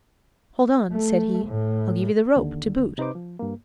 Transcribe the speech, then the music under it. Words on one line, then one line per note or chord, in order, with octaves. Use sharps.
"Hold on," said he, "I'll give you the rope to boot."
A3
A2
D#2 D3
C3 D#4 B4 C5 D6
F3
G2 A#3